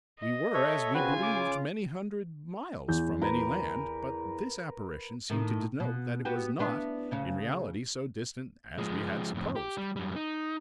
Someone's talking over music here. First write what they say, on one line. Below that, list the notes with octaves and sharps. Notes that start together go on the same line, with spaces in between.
We were, as we believed, many hundred miles from any land; but this apparition seemed to denote that it was not, in reality, so distant as we had supposed.
D#5
A4 C#5 E5
C#3 C4 F4 F#4 B4 G#5
D6
E2 G6
A#4 B4
A2 D#3
B2
B3 F#4 G4
B3 D4 E4
D2 C#3 C#4
F3 G#3
F2 A2
G4
G3
F#2 G3
D#4